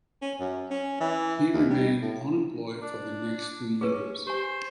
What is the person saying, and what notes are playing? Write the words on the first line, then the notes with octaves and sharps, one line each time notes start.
He remained unemployed for the next two years.
C#4
F#2
C#4
E3
D#2
G3
A2
D4
C#4 G#4 B4
G4 C5 G#5